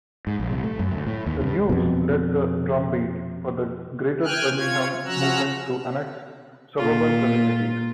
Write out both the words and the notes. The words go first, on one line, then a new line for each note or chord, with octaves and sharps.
The "News" led the drumbeat for the "Greater Birmingham" movement to annex suburban communities.
G#2
A#1
C2
A3
F#2
D2
A2
D#2
G2
F2 B2
G5 G#5 F6 F#6
F4 C#5 G#6
F3 C#4 F#4 A#5 E6 F#6
A#2 F4